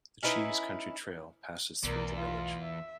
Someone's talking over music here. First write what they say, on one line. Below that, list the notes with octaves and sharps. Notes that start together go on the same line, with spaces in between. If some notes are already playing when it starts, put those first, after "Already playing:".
The Cheese Country Trail passes through the village.
C#4 D#4 E4 B4
B1 E2 A3 A#4 D5
F4
E5